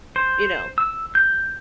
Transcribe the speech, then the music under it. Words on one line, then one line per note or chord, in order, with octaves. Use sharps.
You know?
C5
E6
G6